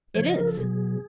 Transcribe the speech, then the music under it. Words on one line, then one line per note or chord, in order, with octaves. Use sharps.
"It is."
C#3 F3 C#5
D#5
A#4
A4
B2 F#3 G#4